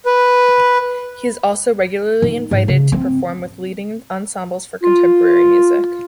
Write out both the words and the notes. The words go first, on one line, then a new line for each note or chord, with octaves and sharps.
He is also regularly invited to perform with leading ensembles for contemporary music.
B4
D#3
G#2
C#3
C4
F4